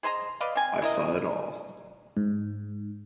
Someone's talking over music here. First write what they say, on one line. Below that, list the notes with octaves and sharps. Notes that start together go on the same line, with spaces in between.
I saw it all.
G#4 C5 D#5 A#5
B4 D5 D#5 F5
C4 G#5
E4 A#4 D#5
G#2